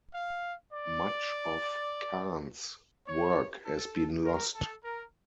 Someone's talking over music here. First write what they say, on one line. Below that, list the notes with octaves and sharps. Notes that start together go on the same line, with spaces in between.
Much of Kahn's work has been lost.
F5
D5
C#5
A4
A#4
A4
A#4